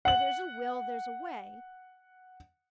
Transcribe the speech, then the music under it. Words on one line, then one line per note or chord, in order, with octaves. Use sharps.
Where there's a will, there's a way.
F#5 F#7